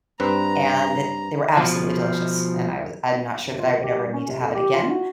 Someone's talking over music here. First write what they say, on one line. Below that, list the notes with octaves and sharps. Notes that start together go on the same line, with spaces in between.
and they were absolutely delicious. And I was I'm not sure that I would ever need to have it again,
G2 C4 B4 A#5
B2 F3
F#2
F4
D#3
G4
G3
C#4
C3
F2
G4
F4
F#4